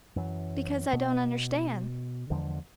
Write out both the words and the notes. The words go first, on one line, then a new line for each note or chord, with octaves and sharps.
"Because I don't understand."
F#2 E3 F#3
B2
E2 D3 F3 G#3